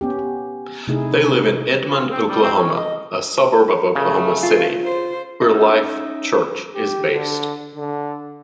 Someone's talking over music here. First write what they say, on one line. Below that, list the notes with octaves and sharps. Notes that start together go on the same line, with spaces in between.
They live in Edmond, Oklahoma, a suburb of Oklahoma City, where Life.Church is based.
B3 C#4 G4
C3 A3 D#4 E4 G#4
F4
C4
G3
C4
C#4
D#5
C#3 A3
F4
C5
C#4 D#4 E5
G4
D3
D3